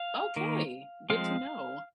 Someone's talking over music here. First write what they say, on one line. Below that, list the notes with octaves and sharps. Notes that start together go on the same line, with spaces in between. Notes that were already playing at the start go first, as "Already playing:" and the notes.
Okay. Good to know.
Already playing: F5
D#3 A#3
F3 G#3 C4 F5